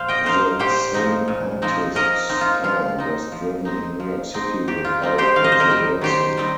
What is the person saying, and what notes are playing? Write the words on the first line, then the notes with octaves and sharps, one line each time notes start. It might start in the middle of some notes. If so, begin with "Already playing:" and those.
The same artist's car was driven in New York City without controversy.
Already playing: A#2 F3 C5 F5
D#5 G5
F3 C4 D#4 C5 F5
A#2 G4 C5
F3 C4 D#4
A#2
F3 C4 D#4
F3 A#4 D#5
C4 D#4
F4
F3 F4
C4 D#4
F3
C4 D#4
F3
C4 D#4
D#3 G4
F4
G3 C4 D#4
G4 C5
D#3 F5
D#5
C5
A#4 D#5
G3 C4 D#4
D#3 G4 C5
G3 C4 D#4